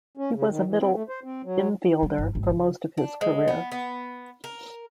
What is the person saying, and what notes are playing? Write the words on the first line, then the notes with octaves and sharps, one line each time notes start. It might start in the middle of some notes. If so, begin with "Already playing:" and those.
He was a middle infielder for most of his career.
C#4
C#3
D#3
E3
C4
A3
C5
C4
F#3
G3
G1
G#1
C#3
D4
G#3
B3
B3
A#4